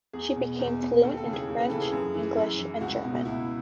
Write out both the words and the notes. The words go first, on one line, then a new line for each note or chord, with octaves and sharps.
She became fluent in French, English, and German.
E2 G#4
B2
E2
B2
D#2 A4
A4
C#3 E3
G#4
D#2
B4
C#3 E3 A4
G#4
F#2
E3
F#2
E3
C#2 F#4
B2
C#2 E4